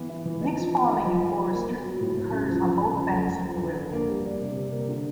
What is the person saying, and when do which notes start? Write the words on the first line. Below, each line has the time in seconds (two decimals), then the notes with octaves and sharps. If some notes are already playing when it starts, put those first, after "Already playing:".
Mixed farming and forestry occurs on both banks of the river.
Already playing: E3 B3
0.09 E4
0.25 E3
0.41 D#4
0.57 F3
0.73 F3
0.89 D#4
1.05 F3
1.21 F3
1.38 F3
1.53 A#3
1.69 B3
1.84 F#3
2.01 A2
2.17 A2
2.32 C#3
2.49 F3
2.65 F3
2.80 C#3
2.96 F3
3.12 A3
3.28 A3
3.45 F3
3.60 D3
3.77 D3
3.93 A#3
4.08 G3
4.24 D4
4.40 C3
4.57 C3
4.72 A#3
4.88 D3